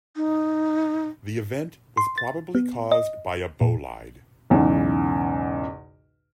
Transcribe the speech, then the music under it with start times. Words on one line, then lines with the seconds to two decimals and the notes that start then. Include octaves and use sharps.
The event was probably caused by a bolide.
0.16 D#4
1.97 C6
2.18 A6
2.55 B3
2.92 D#5
3.61 A#2
4.50 B1 E2 G#2 C#3